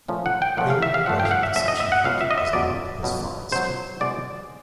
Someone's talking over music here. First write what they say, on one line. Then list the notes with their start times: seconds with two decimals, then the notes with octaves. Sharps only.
Hill rated this achievement as among his finest.
0.08 A#2 F3 A3 C#4
0.26 F#5
0.42 G5
0.57 A#2 F3 A3 C#4 F#5
0.70 F5
0.82 E5
0.94 F5
1.06 A#2 F3 A3 C#4 F#5
1.20 G5
1.25 F5
1.31 F#5
1.43 E5
1.55 A#2 F3 A3 C#4 E5
1.68 D#5
1.80 E5
1.92 F#5
2.04 C#2 B2 F#3 F5
2.21 E5
2.31 D#5
2.38 E5
2.53 C#2 B2 F#3 D5
3.03 C#2 B2 F#3
3.52 C#2 B2 F#3 C5
4.00 C2 B2 G#3 D5